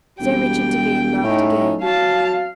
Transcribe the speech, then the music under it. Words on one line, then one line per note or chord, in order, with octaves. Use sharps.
Sir Richard Devine laughed again.
E1 G3 G5
A2 C#4 D#4
F#3 F5 A5